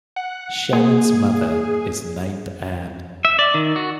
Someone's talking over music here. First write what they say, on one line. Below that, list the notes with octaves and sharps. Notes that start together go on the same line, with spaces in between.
Shannon's mother is named Ann.
F#5
A#3 G#4
E5
D5
D#3
F#4